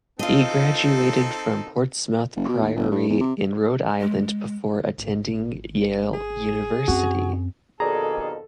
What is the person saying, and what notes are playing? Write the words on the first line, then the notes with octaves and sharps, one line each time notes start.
He graduated from Portsmouth Priory in Rhode Island before attending Yale University.
C4 D#4 F4 A4 D#5
F#1
B2
D#2
G1
G2
E2
C3
G#3
G#1
G#4
F#2 C4 F#4
F2 B2 D#3 G#4 A4 D5 A#5